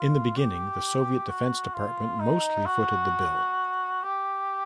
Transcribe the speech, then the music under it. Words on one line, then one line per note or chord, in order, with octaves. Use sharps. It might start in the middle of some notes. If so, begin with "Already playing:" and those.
In the beginning, the Soviet Defense Department mostly footed the bill.
Already playing: F4
G4
F#4
F4
D#4
F#4
G4